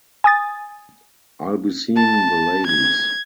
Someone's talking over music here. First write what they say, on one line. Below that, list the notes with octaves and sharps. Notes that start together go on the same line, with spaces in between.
I'll be seeing the ladies.
G#5 D#6 A6
A5
G#6